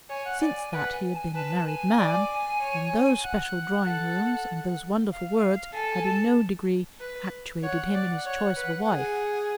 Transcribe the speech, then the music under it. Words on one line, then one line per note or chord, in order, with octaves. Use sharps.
Since that he had been a married man, and those special drawing-rooms and those wonderful words had in no degree actuated him in his choice of a wife.
C#5 G#5
F#5
D5 G#5
G#5
B4 F#5 G#5
G#5
A5
G#5
B4 A5
G#5
D5
C#5
F#5
A4
F5
A4 G#5
G#5
A5
B4
C#5 F#5
D5
C#5
B4
G#4